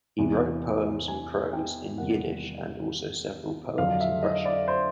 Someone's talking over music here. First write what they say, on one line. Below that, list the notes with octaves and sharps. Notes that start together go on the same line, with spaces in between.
He wrote poems and prose in Yiddish and also several poems in Russian.
E2 C3 E3
G#5
G5
E2 C3 D#3 G3 A#3 F#5
F2 D3 F#3 F5
E5
D#5
D5
C5